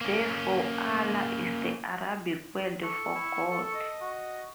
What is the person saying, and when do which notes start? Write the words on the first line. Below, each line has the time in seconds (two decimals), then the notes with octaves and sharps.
Therefore, "Allah" is the Arabic word for "God".
0.01 A#3 C#4
2.83 A4 C#6
3.15 E4
3.50 A4
3.74 D#5
4.01 F#4